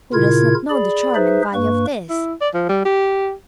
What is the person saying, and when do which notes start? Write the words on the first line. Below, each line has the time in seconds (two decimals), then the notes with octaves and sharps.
Who does not know the charm and value of this?
0.13 A#2 C#3 E4 F4 A#4 G#6
0.70 G#4 D5 B5
1.15 D#4 G#4 B4 C5 E5
1.54 G2 A#3 B4 C#6
2.10 E4
2.41 D5
2.54 F3
2.69 G3
2.85 G4